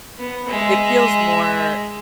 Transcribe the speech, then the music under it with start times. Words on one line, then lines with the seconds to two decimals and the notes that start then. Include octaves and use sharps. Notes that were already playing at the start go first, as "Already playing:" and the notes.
It feels more
0.19 B3
0.49 G#3 E5